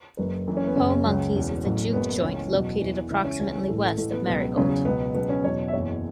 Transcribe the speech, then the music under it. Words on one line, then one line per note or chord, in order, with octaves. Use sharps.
Po' Monkey's is a juke joint located approximately west of Merigold.
F#1 F#2 F#3 B4
F#1 F#2 E3
C#4
B3
F#1 F#2 C#3 C#4
C#2 C#3 F#3
E1 E2 E3
A1 A2 F#3
F#1 F#2 F#3 B3
C#2 C#3 E3 C#4
E2 B2 F#3 F#4
E2 E3
C#2 C#3 E3 E4
C#4
C#2 C#3 E3 C#4
A1 A2 E3 A3
A3
A1 A2 E3 A3
B3
C#2 B2 F#3 B3
E2 C#3 F#3 C#4
C#2 B2 F#3 B3
C#2 B2 F#3 B3
C#4
E2 B2 F#3 C#5
E5
F#1 E2 E3 C#5